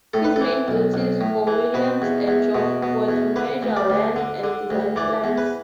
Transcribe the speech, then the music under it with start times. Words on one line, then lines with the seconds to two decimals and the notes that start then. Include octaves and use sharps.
His main duties for Williams and Jones were to measure land and design plans.
0.14 A2 A4
0.24 B4
0.36 A4
0.41 E3
0.68 B1
0.94 B1
1.21 A2
1.47 E3
1.74 B2 B4
2.02 E2
2.28 E2
2.55 B2
2.83 B2
3.08 E2
3.36 D3 B4
3.63 D2
3.77 D5
3.90 D2
4.16 D3
4.44 D3
4.70 D2
4.96 E3 D5
5.24 E2
5.38 B4